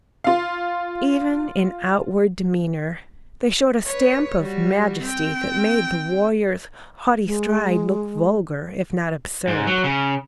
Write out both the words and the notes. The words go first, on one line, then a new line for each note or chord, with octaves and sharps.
Even in outward demeanour they showed a stamp of majesty that made the warrior's haughty stride look vulgar, if not absurd.
F4 F5
B4 C#5
G3 F#4
C4 G5
G#3
G#2
F#3
C#3